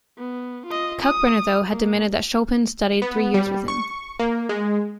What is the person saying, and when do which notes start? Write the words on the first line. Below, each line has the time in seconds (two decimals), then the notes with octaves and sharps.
Kalkbrenner, though, had demanded that Chopin study three years with him.
0.18 B3
0.67 F4 D#5
1.02 D#6
1.70 A#3
3.02 B3
3.34 G3
3.68 C#6
4.19 A#3
4.49 G#3